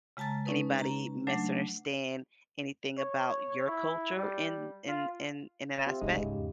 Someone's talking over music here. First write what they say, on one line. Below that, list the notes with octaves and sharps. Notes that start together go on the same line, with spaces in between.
anybody misunderstand anything about your culture in in in in that aspect?
C#3 G#3 A5 A#5 A6
C#4 D#4 B4
A#5
F#3 A3 D4
C#5
E4
G3
F4
C4 F4 G4 E5
C#2 C#3 G#3 A3 D#4
G#2 C#3
E2 G4